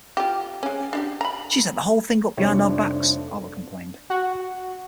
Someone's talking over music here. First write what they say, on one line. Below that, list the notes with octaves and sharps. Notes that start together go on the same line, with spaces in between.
"She set the whole thing up behind our backs," Albert complained.
F4 G4
G#3 C#4
D4 E4 G4
A#5 B5
F1 F3 G3 A3 D4 C#5
F#4